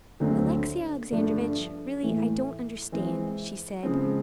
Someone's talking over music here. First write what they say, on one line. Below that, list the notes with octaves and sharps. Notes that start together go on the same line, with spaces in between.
"Alexey Alexandrovitch, really I don't understand," she said.
D2 D3 F#3 A3 C4
G2 D3 F3 A3 D4
A2 E3 A3
E3 G#3 C4
C#3 F3 G#3 C4